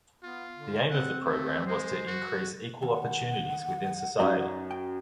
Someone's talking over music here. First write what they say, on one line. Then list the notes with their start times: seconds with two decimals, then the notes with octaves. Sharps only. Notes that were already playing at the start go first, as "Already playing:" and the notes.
The aim of the program was to increase equal opportunities within society.
0.23 B3 F4
0.56 D3
0.91 C4 F#5
1.23 A3
1.67 G#3 C5
2.07 F#4
2.82 D#2 F#5
4.19 F#2 C#4 D#4 A#4
4.71 G5